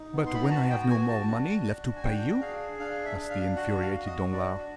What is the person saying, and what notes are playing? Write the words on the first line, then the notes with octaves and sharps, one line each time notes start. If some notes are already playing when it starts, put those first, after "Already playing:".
"But when I have no more money left to pay you?" asked the infuriated Danglars.
Already playing: D#4
B3
C6
B5
A#5
F#4 A5
G5
F#4 G#5
A5
D4
F#4
G#5
D4 G5
G#4 F5
D4 F5
E5
D4
F5
F#4 F#5
F5
F#4
D#5
D4 D5